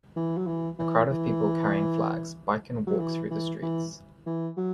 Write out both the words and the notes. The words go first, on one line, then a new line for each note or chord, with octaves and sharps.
A crowd of people carrying flags bike and walk through the streets.
E3
F#3
E3
E3
E3
F#3
E3
E3
E3
E3
F#3